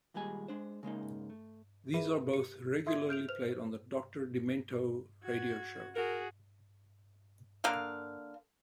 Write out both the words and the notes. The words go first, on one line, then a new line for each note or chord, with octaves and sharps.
These are both regularly played on the "Doctor Demento" radio show.
D#2 A#2 G3 G#3 G#5
G#3 D4 C5
C#3 G#3 A#3 D#4
A3
G#4 A#4 B4 E5 B5 D#7
G4 C#7
A4 E5 C6 D#6 G#6
F6 G6 D7 F7
B4 C5 F6 F7
F#4 G#6
F#4 G#4 A#4
D3 A#3 A#4 F5